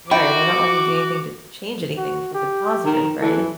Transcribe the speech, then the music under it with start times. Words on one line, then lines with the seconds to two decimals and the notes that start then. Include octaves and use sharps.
Right, and they're not wanting to do anything to t change anything for the positive, right?
0.11 E4 F#4 E5 G5 B5 D6
1.97 F#4
2.34 G4
2.86 D#3
3.21 E3 A4